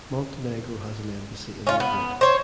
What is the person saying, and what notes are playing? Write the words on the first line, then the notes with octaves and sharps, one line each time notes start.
Montenegro has an embassy in Madrid.
C#4 F4
B3
C5 C#5